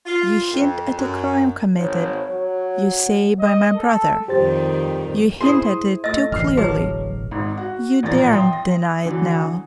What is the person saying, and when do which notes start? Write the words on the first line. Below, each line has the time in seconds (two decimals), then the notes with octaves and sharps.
You hint at a crime committed, you say, by my brother. You hint at it too clearly; you daren't deny it now.
0.06 F4
0.53 F2
0.98 F#2
1.76 G#1 C#5
2.30 F#3
3.40 D#5
3.75 A4
4.28 F2 D#3 G3 G4 C5 A6
5.41 E4 G#4 C5 C6 D#6
6.04 A3 D#5 E6 A#6
6.32 E1 A1 D3 F6 C7
6.57 F#3 G#4 B4 A5
7.31 G#1 G#2
7.57 F#4 F#5
8.03 A1 A#2 F3 A#5 A6 A#6
8.32 E5 G5 C6 D#6
8.53 A#6
9.05 D3 E3 F#3